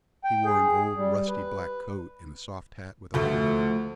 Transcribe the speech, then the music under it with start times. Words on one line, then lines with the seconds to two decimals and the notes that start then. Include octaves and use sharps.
He wore an old rusty black coat and a soft hat with a hole in it.
0.24 G5
0.45 G#4
0.96 G3
1.28 B4
3.14 D2 F3 A3